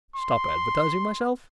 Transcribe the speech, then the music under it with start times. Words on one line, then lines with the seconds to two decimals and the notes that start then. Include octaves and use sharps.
Stop advertising myself!
0.16 C6